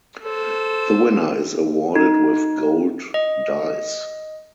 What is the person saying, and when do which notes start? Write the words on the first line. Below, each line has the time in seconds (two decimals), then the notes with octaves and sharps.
The winner is awarded with gold dice.
0.23 A4 C5
1.96 D#4
3.14 D#5